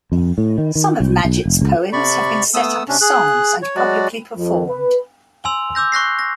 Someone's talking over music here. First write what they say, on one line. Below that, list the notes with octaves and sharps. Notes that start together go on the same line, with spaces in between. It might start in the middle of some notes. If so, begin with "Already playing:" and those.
Some of Madgett's poems have been set up as songs and publicly performed.
F2
A2
D#3
D#3
C2
B1
F1
C#2
C3 D5 B5 C#6
A3 B3 D#6 E6
C3 C#4 D4
G#4 F#6
C#5
F#3 G#3 F#4 D5
F2
B4
G#5 C6 E6 F7
D6 E6 G6 A#6
C#6 F#6 A#6 C7
A#6